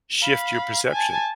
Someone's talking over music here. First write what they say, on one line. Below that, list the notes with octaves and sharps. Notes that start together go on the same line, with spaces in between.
shift your perception.
F5 B5
G#5 A5